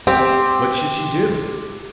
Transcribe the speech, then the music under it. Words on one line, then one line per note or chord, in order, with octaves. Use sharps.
What should she do?
C4 G4